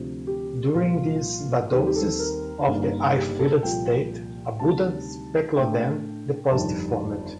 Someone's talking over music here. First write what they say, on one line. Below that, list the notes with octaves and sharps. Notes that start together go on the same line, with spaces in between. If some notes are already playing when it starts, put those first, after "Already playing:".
During this vadose, or air filled state, abundant speleothem deposits formed.
Already playing: D2 C3 F3 C4
G4
C2 A#2 F3 F4
D#2 D#3 G3 C4 G4
G4
A4
A#4
G1 G2 D#3 A#3
G4
A4
C2 A#2 F3 G5
D2 C3 D#3 G3 A5
A2 A3 D4 G5
G1 F2 D#3 G3 A5